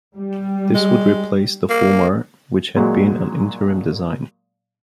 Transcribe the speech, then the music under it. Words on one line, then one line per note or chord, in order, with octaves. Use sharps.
This would replace the Fulmar which had been an interim design.
G3
G#3
A#3
A#2 F#3 G#3